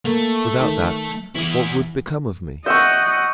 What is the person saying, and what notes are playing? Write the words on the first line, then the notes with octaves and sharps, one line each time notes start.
"Without that, what would become of me?"
A3 A#3
D#3
E3 E4 G#4
D#5 E5 F#5 C#6 G6